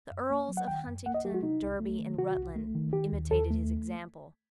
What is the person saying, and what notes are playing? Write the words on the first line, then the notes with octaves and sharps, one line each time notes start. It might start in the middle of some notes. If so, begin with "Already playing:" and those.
The earls of Huntingdon, Derby, and Rutland imitated his example.
F#2
A#3
F#3
F#5
D#3 G5
F#2
A#3 F#5
D#5
F#3 G4
F#4
C3 D#4
C2
A3
D#3
C3 F#4
C2
A3
D#3
D#3 G4
D#2
D#2 A4
A3